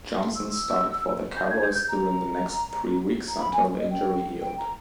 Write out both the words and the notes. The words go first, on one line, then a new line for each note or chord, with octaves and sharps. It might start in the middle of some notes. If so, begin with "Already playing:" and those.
Johnson started for the Cowboys during the next three weeks until the injury healed.
E6
G6
G#6
G6
G6
A#5
A#5
B5
G#5
D#5
G5
G5
A#5